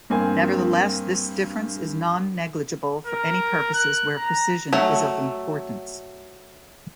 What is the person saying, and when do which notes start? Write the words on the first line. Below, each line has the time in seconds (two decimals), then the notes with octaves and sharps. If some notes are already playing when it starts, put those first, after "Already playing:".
Nevertheless, this difference is non-negligible for any purposes where precision is of importance.
0.10 G2 A#3 C4 G#5
3.07 A#4
3.74 F#6
4.17 A#5
4.73 F#3 A3